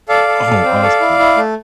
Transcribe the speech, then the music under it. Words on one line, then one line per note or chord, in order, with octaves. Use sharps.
Oh, awesome.
A4 D5 F5
A4
A4
C4
A4
E4
E4
A3